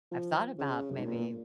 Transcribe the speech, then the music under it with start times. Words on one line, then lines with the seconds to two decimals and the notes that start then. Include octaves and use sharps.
I've thought about maybe
0.12 F3
0.58 C#3
0.91 F#2
0.98 G#2
1.05 A#2